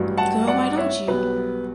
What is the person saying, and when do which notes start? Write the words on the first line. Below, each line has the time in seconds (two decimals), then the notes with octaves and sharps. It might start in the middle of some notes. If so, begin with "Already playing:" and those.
Girl Why Don't You?
Already playing: A1 G2 F#3
0.17 F#5 A5
0.47 D5 F#5
0.77 C#5 E5
1.07 B1 B2 G3 B3 B4